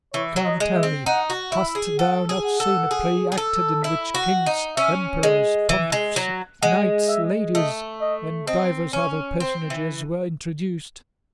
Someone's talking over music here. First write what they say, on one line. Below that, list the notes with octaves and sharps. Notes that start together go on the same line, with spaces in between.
Come, tell me, hast thou not seen a play acted in which kings, emperors, pontiffs, knights, ladies, and divers other personages were introduced?
E3 C#5
F#3
D#5
G#3
E5
C4
D#4 F#5
F#4
E4 E5
G#4
A4 F#5
G#4
F#5
A4
G#4
G#4
A4
E4
F#4
D#4
C#4 E5
G#3
E3
G#3
F#3
G#3 F#5
E5
A3 D#5
D#5
C4 D#5
C#4 C#5
C4 C5
E3